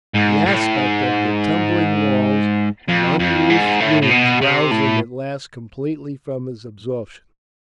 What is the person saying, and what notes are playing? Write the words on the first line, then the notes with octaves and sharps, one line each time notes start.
The aspect of the tumbling walls and unroofed rooms roused him at last completely from his absorption.
G#2
A2
G#2
F2
F2
G#2
A2
A2
B2
C3
A2